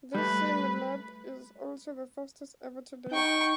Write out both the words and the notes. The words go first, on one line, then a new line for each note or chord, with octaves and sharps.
This same lap is also the fastest-ever to date.
G3 A3 B4
D#4 G5 C#6